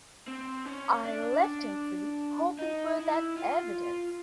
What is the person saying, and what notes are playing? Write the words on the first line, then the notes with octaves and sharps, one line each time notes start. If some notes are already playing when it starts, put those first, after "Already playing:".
I left him free, hoping for that evidence.
C4
C#4
D4
D#4
E4
F4